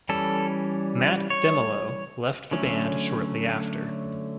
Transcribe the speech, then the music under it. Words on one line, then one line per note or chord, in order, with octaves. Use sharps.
Mat Demelo left the band shortly after.
E3 G3 C#4 A4
C#5
D3 F#3 A3 C#4